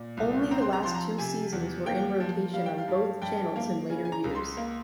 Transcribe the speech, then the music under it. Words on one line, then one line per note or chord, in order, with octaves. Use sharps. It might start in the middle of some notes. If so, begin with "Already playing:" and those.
Only the last two seasons were in rotation on both channels in later years.
Already playing: A#2
C2
C4 A#5
C6
A#5
F3 C6
A#5
C3 G#5
E2
A#3 G5
F3
G3 F5
G5
F5
G2
G2 G5
A#3
C#3 G#5
G#5
A#5
C#2
C6
A#3